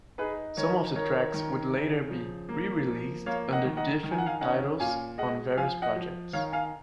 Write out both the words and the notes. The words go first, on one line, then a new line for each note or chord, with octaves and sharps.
Some of the tracks would later be re-released under different titles on various projects.
D#4 G#4 B4
D#3 A#4 C#5
D#3 A#4 C#5
D#3
C#3
F3
A#3
F3
A#3 C#5 F5
D#5 F#5
D#3
D#5 F#5
D#3
G#5
F#5
F5 G#5
C#4 D#5 F#5
A#2 F5 G#5
G#3 D#5 F#5
F3 F5 G#5
D#5 F#5
F3
D#3 C#5 F5
F5 G#5